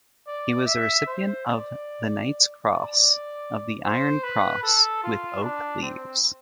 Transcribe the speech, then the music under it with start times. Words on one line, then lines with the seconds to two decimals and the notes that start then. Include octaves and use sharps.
He was a recipient the Knight's Cross of the Iron Cross with Oak Leaves.
0.27 D5
0.66 E5
1.07 C5
1.46 D5
2.65 D5
3.84 C5
4.24 B4
4.63 A4
5.04 F4
5.42 D4
5.82 C4